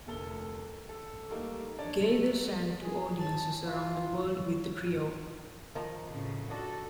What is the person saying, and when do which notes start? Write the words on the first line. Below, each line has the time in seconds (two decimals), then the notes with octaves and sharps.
Gaither sang to audiences around the world with the trio.
0.07 F1 D2 A4 A#4 G7
0.89 A4
1.30 G3 A3 A#3 D#4
1.78 D4 D#4 C#5 D5 A5
2.04 F#3 A3
2.83 G#4
3.17 A5
3.66 F4
5.75 D#3 F3
6.11 A2 C#3
6.50 D4 F#4 A4 D#5